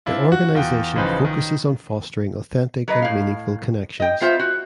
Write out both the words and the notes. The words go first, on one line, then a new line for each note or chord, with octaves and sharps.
The organization focuses on fostering authentic and meaningful connections.
C4 D4 E4 F4
F#4
E2 F4 G5
A1 C#3 F3 D#4 B4 C5
D#3
F#3 B4 D#5
A2 F5
D#5 G5
B3 F4 C5 E5
F#4